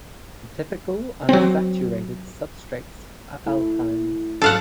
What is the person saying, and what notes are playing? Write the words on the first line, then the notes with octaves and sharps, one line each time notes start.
The typical unsaturated substrates are alkynes.
F#3 C4
A3 E4
G#2 F#3 D4 A4 F5 F#5